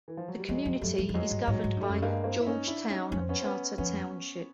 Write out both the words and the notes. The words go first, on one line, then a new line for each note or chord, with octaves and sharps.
The community is governed by Georgetown Charter Township.
E3
F3
F#3
G3
F2 F#3 G#3
F2
F#2 G3 A3
F2
F#2
F2 F#3 G#3
G2
G#2 F#3 G#3
G#2
G2 G3 A3
F#2
G2 G#3 A#3
A#3 C4
E4
C#4 D#4
D4 E4
C#4 D#4
F2 C#4
C4
B3 C#4
C4
B3 C#4
F2 B3 C#4